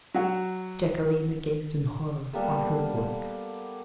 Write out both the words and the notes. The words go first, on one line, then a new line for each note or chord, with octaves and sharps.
Jacquelina gazed in horror on her work.
F#3 F#4
G3 A#3 B3 A4